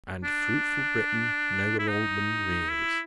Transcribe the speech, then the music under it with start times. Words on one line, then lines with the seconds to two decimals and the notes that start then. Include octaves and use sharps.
And fruitful Britain noble Alban rears.
0.24 D4
1.79 E4
1.88 D#4
2.71 E4